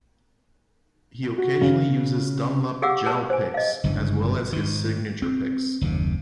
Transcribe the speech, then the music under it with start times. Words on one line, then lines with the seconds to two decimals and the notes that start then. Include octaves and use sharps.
He occasionally uses Dunlop Gel picks, as well as his signature picks.
1.38 F#4
1.61 C#3
2.82 G4 G#4 F5 F#5 D6 E6
3.06 G#4 B4 A5
3.30 C5 G#5
3.54 D#5 F5
3.84 G1 G2 C#3 E3
4.53 G#2 D#3
5.22 C4
5.81 F#1 D#2 C3